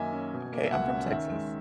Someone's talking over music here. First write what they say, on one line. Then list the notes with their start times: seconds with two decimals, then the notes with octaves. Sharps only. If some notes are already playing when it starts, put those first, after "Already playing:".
Okay, I'm from Texas.
Already playing: F#2 D#3 A#3 D#5 E5 G#5
0.13 C#4
0.34 B2
0.53 A#3
0.66 E5
0.72 C#2 F#5
0.92 C#4
1.12 D#3 E5
1.31 G#3